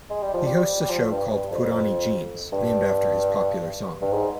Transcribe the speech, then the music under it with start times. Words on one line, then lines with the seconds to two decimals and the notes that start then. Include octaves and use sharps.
He hosts a show called 'Purani Jeans' named after his popular song.
0.10 G#3
0.22 G3
0.34 F3
0.46 G3
0.81 G3
0.90 F3
1.11 G2
1.31 G2
1.51 F2
2.52 G2
4.02 G2
4.13 G#2